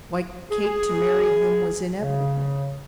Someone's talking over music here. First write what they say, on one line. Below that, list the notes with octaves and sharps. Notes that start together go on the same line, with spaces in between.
Why, Kate, to marry him was inevitable!
G#4
C#3